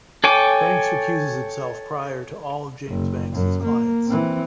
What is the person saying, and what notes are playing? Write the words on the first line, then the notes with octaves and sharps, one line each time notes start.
Banks recuses himself prior to all of James Banks' clients.
A4 C#5 G5 G#5 D6
F#1
F#2
A#3
E3 C4